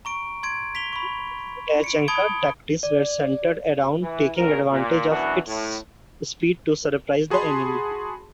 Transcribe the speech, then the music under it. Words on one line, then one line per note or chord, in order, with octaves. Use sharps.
Tachanka tactics were centered around taking advantage of its speed to surprise the enemy.
A#5 C#6 D7
C6 G#6 D7
B6 F7 G7
B5 C#6
C#7 D7
A5 B5 D#6 G#6 D7 G7
D5
E3
A1 B2 C#4 A#4
A#2
F#2 B2 E3 D4 E4 F#4
A2
F#4 G#4 A5 B5 C6